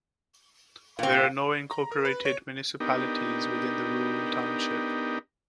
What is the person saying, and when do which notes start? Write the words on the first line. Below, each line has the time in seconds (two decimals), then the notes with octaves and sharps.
There are no incorporated municipalities within the rural township.
0.99 A#2 C4 F5
1.71 A#5
1.92 A#4
2.05 B4
2.25 C#5
2.80 B3 D4 D#4 G4 A#4